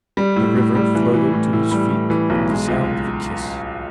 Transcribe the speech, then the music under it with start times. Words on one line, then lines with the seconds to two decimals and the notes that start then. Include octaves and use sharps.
The river flowed to his feet with the sound of a kiss.
0.17 G3
0.36 A2
0.56 A2
0.75 G3
0.95 E3
1.14 E3
1.33 A2
1.53 A2
1.71 G3
1.91 A2
2.10 E3
2.30 B1
2.50 G#3
2.68 C#2